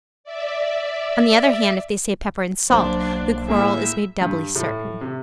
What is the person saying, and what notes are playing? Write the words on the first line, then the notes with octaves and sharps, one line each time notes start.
On the other hand, if they say "pepper and salt," the quarrel is made doubly certain.
D5 E5
B1 F#3 A#3 D4 C5
A2 A#3 G#4 E5
G2
A2
C3